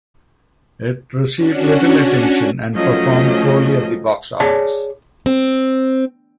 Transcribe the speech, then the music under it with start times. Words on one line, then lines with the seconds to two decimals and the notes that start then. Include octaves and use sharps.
It received little attention and performed poorly at the box office.
1.36 C#4 D4 F#4
2.75 F3 F#3 A3 C#4 D#5
4.40 G#4 C#5 D5 A5
5.26 C4